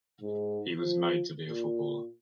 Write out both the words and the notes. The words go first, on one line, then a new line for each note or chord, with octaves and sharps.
He was made to be a footballer.
G#2
F3
A#2